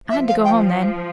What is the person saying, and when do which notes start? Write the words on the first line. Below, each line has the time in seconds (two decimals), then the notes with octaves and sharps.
I had to go home then.
0.10 F3 E5
0.28 F5
0.45 G5